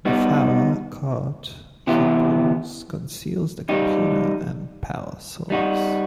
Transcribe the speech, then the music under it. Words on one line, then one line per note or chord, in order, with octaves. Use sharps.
The flower cart he pulls conceals the computer and power source.
G3 B3 D#4 F#4
C3 E3 B3 E4 G4
G3 D#4 G4
G3 D#4 F#4